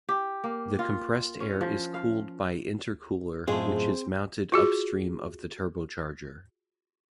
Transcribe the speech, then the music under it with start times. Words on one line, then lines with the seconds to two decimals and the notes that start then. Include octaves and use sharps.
The compressed air is cooled by intercooler which is mounted upstream of the turbocharger.
0.09 G4
0.44 A#3
0.79 F4
1.40 C#4
1.61 F3
1.94 F5
3.48 F#2 A2 G#3 A3 C4 F4 G#4 C5
4.52 F4 F#4 G#4